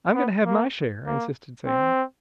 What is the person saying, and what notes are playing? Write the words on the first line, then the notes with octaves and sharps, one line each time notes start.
"I'm going to have my share!" insisted Sam.
B3
A#3
A#3
C4